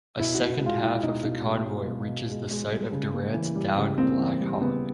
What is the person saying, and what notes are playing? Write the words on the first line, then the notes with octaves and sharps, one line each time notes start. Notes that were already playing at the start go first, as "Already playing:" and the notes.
A second half of the convoy reaches the site of Durant's downed Black Hawk.
B2 E4
F#4
B2
E4
G#3
F4
G#3 E4
B2 D#4
B2 D#4
G#3
G#3
B2
B2
G#3
G#3
G3
C#3
A#3
E3
G3
C#3
A#3 C4
E3
G3
C#3 B3